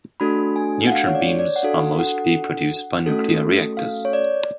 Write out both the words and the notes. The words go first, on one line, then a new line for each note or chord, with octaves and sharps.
Neutron beams are mostly produced by nuclear reactors.
A3 D4 F#4 A4 B5
G#5
F#5
F5
C#5
D5
C#5
D5
F#5
D4 F#4 A4 F5
F#5
A3 C#4 F#4 A4
F5
C#5
D5